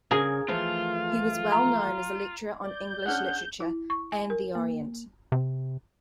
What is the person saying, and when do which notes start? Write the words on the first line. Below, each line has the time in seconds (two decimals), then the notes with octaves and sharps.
He was well known as a lecturer on English literature and the Orient.
0.11 C#3 G#4 A#4 G#5
0.48 E3 F3 A3 F4
1.52 A#5
2.64 D5 G6
3.06 C#4 D4 G#4 F#5 F6
3.60 E4
3.90 C#6
4.12 G#5
4.30 A#4
4.55 A#3
5.32 C3